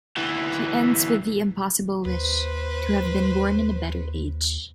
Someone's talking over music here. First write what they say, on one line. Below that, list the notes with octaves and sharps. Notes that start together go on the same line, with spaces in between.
He ends with the impossible wish to have been born in a better age.
D2 E3
D#2 B4 C5